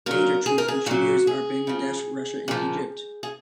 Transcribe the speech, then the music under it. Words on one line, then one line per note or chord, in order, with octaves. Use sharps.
Major troop contributors are Bangladesh, Russia and Egypt.
A#2 F#3 A#4
G#4
A#4
G#4
A#2 F#3 F#4
G#4
C#3 F3
A#2 F3
G#4